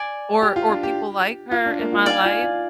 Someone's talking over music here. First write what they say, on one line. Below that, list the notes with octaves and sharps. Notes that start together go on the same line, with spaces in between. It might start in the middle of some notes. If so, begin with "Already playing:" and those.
or or people like her in my life,
Already playing: D5 G#5 D6
G4
F4
D4
G4
F4
D4
A#3
F4
D#4 D5 F5 G#5
F4
F4